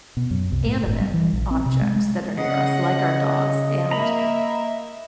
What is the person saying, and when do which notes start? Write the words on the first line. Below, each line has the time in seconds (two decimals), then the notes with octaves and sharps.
animate objects that are near us like our dogs, and
0.17 B2
0.31 F#2
0.52 C2
0.66 A2
0.86 G1
1.01 G3
1.14 E3
1.33 A#1
1.51 C4
1.66 C3
1.82 G#3
1.96 G#3
2.37 C#3 D#5 F#5
3.91 A#3 E5 A#5 B5